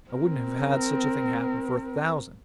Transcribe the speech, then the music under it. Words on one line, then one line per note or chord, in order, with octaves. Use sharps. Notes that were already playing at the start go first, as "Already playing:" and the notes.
I wouldn't have had such a thing happen for a thousand!
C4 A#4